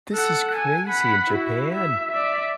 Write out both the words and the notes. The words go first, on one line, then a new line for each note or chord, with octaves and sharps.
This is crazy! In Japan?
A4 F#5
G#5
F#5 B5
E4 F#4
E5
D5 E5